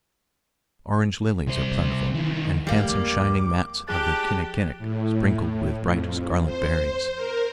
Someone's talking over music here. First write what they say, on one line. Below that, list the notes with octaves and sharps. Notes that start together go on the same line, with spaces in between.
Orange lilies are plentiful, and handsome shining mats of the kinnikinic, sprinkled with bright scarlet berries.
C2 C5
D#3 E3
F3 G3 A3 A#3
D#2 D6
F3 D4 G4 G#4 F#6 A6
A2
F2
C5
A#4